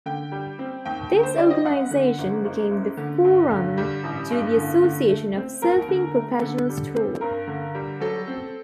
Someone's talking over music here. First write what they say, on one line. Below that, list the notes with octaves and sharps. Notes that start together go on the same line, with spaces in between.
This organization became the forerunner to the Association of Surfing Professionals tour.
D3 G5
G3
C4
D#2 G5
D3
C5
G3 D5
D#5
F#2 F#5
D3
F#1
F#1
F#2
D3
G2
D3
G3
A1
G2
D3
D3
A3
C4
D#2 A#4
D3
A3
D3 A4
G3
C4
G2 A#4
D3
G3
F#3 A4
C4